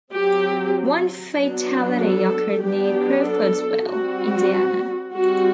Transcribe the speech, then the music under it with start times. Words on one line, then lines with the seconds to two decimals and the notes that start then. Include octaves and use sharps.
One fatality occurred near Crawfordsville, Indiana.
0.12 F#3 C4 G4
1.37 F#3 B3 D4
2.00 A4
2.62 F#3 B3 D4 G4
3.25 A4
3.88 G3 C4 F#4
5.12 G3 C4 F#4